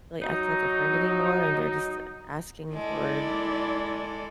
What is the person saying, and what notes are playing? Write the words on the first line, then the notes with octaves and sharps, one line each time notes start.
really acting like a friend anymore and they're just asking for
F#3 D#4
G#3 E4 A4 D5